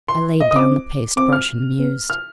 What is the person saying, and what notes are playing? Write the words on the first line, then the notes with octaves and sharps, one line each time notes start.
I laid down the paste-brush and mused.
C6
D#5
D#6
C4 D6
C4 D6
F6
B3
F6